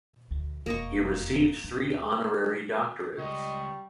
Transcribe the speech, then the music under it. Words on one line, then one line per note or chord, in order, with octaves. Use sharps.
He received three honorary doctorates.
D2
E1 F2 A#3 D#5 C#6
D2 D4
C#2 G3 D#5 C#6